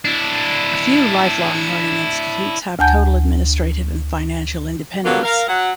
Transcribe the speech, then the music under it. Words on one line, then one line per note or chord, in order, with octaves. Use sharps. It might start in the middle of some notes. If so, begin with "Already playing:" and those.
A few lifelong learning institutes have total administrative and financial independence.
D4 E4
D2 F#5 G#5 A5 G6
D3 F#3 A#3 B3 F4 G4
A#4 F5
F#3 F#5